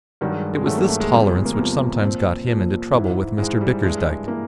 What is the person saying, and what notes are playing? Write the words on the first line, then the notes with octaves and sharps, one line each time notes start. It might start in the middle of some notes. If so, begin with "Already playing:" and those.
It was this tolerance which sometimes got him into trouble with Mr Bickersdyke.
G2 D#3 F#3 G3
G#3
G#3
G2 D#3 F#3 A3
A#3
A3
G#3
E2 C3 F3 G3
G#3
G#3
A#3
E2 C3 F3
A#2 F3 C4
A#2 F3
G#2 E3
G#2 E3 G#3
G3
G2 E3 G#3
G#3
E3 A#3